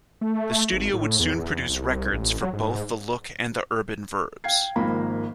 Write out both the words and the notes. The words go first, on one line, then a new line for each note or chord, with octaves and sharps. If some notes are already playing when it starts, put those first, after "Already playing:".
The studio would soon produce records for both the Look and the Urban Verbs.
A3
G#1
A2
E2
C2
A1
F#3
G#2
F5 G5 G#6 C7
G#1 G#2 F3 A#3 A#5 B5